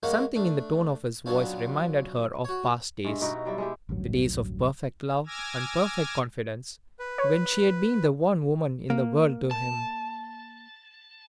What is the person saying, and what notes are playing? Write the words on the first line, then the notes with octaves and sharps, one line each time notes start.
Something in the tone of his voice reminded her of past days--the days of perfect love and perfect confidence, when she had been the one woman in the world to him.
G#3 A#3 C#4 F4 A#4 F#5
A3 D4
F#3 B3 C#4 D4 F4
F#4 C#5
G2 G#3 E5
B2 D#4 E4 F#4
F#3 G3 E4
G#3 E4 G4
A1 D2 G2 F#3
G#5 D6 E6 F6 G#6 A#6
B4
C#5
A#3
A5